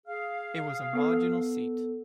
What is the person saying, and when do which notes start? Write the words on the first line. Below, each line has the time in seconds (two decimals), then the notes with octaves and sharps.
It was a marginal seat.
0.07 G#4 F5
0.93 B3 A4